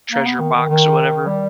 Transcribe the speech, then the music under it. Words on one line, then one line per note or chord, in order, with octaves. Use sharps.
treasure box or whatever.
A#3
B3
D#3
D#3
D#3
G3